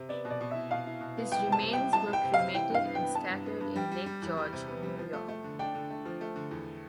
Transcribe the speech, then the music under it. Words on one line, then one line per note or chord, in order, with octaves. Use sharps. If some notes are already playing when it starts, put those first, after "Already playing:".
His remains were cremated and scattered in Lake George, New York.
Already playing: C3
B3 D5
B2
D5
B2
E4 E5
B2 F5
E4
B2
B3
C2 G5
C3
A5
C3
C2 G5
C2 A5
C2
G5
C3
F5
C3
E3 G5
G2 F5
B3
B3 G5
B3 A5
G2
B3
G2
G3 G5
G3
G3
E2
G3
C3
B3
G3
F3
A3
A3
D3
D4 G5
D3
A3
F3
A3
D3
E2